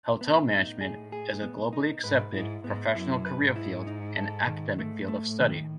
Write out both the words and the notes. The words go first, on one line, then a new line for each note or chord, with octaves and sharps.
Hotel management is a globally accepted professional career field and academic field of study.
A2 B3
D#4
G#4
G#4
B3
D#4
G#2 B4
G#2 E4
G#2 B3
F#2 E4
B4
G#2
E4
D#4
A4
D#3
G#2 A3
A3
A2
D#3